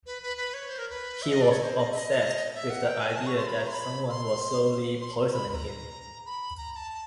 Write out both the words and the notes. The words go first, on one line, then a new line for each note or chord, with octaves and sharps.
He was obsessed with the idea that someone was slowly poisoning him.
B4
B4
B4
C#5
C5
A#4
B4
E5
D#5
D5
C#5
C5
D#5
E5
D#5
E5
F#5
G5
G#5
A5
C#6
C6
B5
A#5
C6
B5
C6
C6
B5
B5
A#5
B5
A#5
A#5
A5